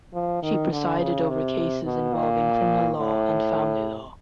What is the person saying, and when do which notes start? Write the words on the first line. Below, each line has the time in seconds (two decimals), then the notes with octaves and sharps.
She presided over cases involving criminal law and family law.
0.14 F3
0.43 D#3
0.72 D3
1.00 C#3
1.29 C3
1.86 B2
2.14 A#2
2.99 A2